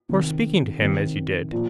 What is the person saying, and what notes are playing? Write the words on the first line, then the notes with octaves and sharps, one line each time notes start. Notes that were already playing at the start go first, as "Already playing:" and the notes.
"For speaking to him as you did."
C3 D#3
C3 D#3
A#2 F3